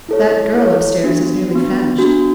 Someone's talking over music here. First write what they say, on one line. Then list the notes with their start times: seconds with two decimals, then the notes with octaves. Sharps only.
"That girl up-stairs is nearly famished."
0.09 E4 A4 C#5
0.56 E4 A4 C#5
1.04 B3 D4 F#4
1.51 B3 D4 F#4
1.99 B3 D4 F#4